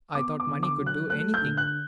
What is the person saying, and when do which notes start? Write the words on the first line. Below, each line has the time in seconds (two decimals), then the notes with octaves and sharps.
I thought money could do anything.
0.15 B3 D6
0.40 D6
0.46 D3
0.63 D6
0.78 F#3
0.86 F#6
1.10 A3 F#6
1.34 G6
1.42 D3
1.57 F#6